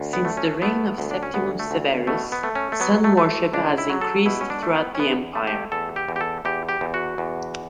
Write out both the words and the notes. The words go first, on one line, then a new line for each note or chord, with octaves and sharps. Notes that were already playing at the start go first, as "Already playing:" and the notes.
Since the reign of Septimius Severus, sun worship had increased throughout the Empire.
Already playing: D2
B3
A3
C#4
A3 B3
D2
D4
C#4
D2 B3
A3
D2
B2 A3
B3
A3
C#4
A3
F#3 B3
A3
A3
C#2 D4
E4
F#3
A4
B2 E4
C#4
D4
A3
B3
C#4
E2 B3
A3
G4
E2 A4
G4
E2
G4
A4
E2 G4
G4
E2
F#4
E2